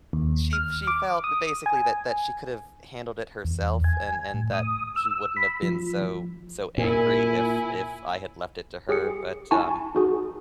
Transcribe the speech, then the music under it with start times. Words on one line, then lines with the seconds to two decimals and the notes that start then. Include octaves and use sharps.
She she felt basically that that she could've handled it herself and and that he wouldn't have been so so angry if if I had left it to her, but, um,
0.13 D#2
0.53 F6
0.87 D6
1.24 D#6
1.66 G#5
3.44 E2
3.84 G#5
4.34 A2
4.53 D#6
4.96 E6
5.37 B5
5.63 F3
6.78 A#2 E4 G#5
8.89 G4 G#4 C#7
9.51 E4 G#5 A5 C#6
9.95 D#4 F#4 G#4